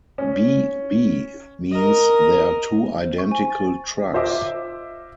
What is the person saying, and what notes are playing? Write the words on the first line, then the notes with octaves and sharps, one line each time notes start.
"B-B" means there are two identical trucks.
C#4
A#4 D#5
C5
C#6
G#5
A6
F4 C5 D#5 E5 D6